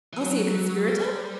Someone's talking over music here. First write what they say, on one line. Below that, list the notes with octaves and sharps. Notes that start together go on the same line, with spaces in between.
Elsie a conspirator?
E3
F#3
G3